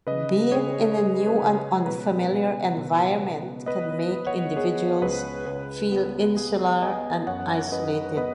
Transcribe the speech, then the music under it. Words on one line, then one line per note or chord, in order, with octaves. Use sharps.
Being in a new and unfamiliar environment can make individuals feel insular and isolated.
C#3 B4 D#5
C#3 G#4 C#5
G#3 G#4
B4
C#3
B4
B2 B4
B2
B2
B3
B3 B4 D#5
B3
C#5 F#5
B3 G#4 C#5
C#2 B4
C#2 B4
B3
B3 G#4
B3 D#5 G#5
F#2 C#5 F#5
F#2 B4 D#5
B3 B4 D#5